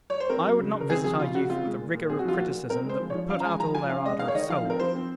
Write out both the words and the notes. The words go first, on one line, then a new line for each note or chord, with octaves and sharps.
I would not visit our youth with a rigor of criticism that would put out all their ardor of soul.
C#5
C5
C4 A#4
F#3
C#3
C#3
A#4
C4 G#4
F3 G#4
C#3 F4
C#3 F#4
C4 F4
G#3
A#2
A#2
C4 G#4
F#4
F3 F4
A#2 F#4
A#2
C4 A#4
G#3 C5
F3
C#5
F3
C#4 F5
A#5
G#3 G#5
F3 A#5
F3 G#5
C#4 F5
G#3 D#5
D#3 F5
C#5
D#3 D#5
F3 F5
C4
A#4
F3 C5
C4